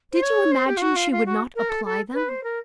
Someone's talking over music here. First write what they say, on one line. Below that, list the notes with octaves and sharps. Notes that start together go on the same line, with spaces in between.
Did you imagine she would not apply them?
C5
C#5
C5
G4
F4
F#4
F4
F4
F#4
A#4
A4
A4
B4
C5
A#4